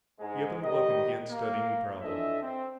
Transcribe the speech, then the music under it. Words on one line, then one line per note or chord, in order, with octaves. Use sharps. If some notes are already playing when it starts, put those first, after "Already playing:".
He opened the book and began studying the problem.
G#2 G#3
G#2 D#3 G3 G4 D#5
A#3
E3 F3 D4 A4 D#5 E5
C4